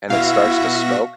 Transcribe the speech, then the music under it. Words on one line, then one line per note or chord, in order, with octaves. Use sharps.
and it starts to smoke,
B2 E4 F#4 E5 F5 A#6